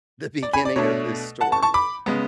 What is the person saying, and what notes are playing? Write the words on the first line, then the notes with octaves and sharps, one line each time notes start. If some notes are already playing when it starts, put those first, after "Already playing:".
the beginning of this story.
D5
G#5 B5
D5
B2 A3 D4 C#5
F#5 A5
A5 C#6
A5 C#6
B5 D6
C#3 G#3 B3